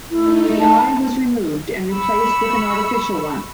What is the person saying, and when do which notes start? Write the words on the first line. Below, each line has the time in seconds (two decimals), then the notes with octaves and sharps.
The eye was removed and replaced with an artificial one.
0.10 A3 D#4 E4
0.60 A5
1.93 B5 C#6 E6